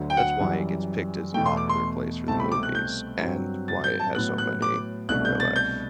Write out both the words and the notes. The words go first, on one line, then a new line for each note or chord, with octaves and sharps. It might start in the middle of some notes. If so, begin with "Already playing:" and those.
that's why it gets picked as a popular place for the movies and why it has so many in real life.
Already playing: D2 D3 F#3
G5
F#5
F#2 E3 G3
E2 B2 A3 G5
C6
D6
C6
C2 B2 A3 C4 A5
B5
D6
F#6
G6
G2 F#3 C4
A6
G6
A5
A2 F#3 B3 F#6
F#6
D6
C2 B2 A3 D4 F#6
G6
A6
G6